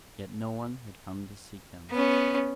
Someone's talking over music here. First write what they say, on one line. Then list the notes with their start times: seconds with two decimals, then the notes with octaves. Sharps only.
Yet no one had come to seek him.
1.90 B3 C#4